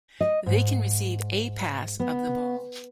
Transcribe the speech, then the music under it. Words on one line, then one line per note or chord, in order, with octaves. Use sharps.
They can receive a pass of the ball.
D#5
G#2
B3